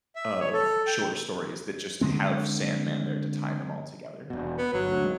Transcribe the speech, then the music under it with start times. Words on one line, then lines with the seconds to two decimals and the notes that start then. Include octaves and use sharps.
of short stories that just have Sandman there to tie them all together.
0.16 E5
0.40 C#5
0.53 A4
0.87 G5
2.01 D3 G#3 C4
4.30 E1 B2
4.58 B3
4.73 G1 F#3
4.88 D2 D3
5.03 G#1 G#3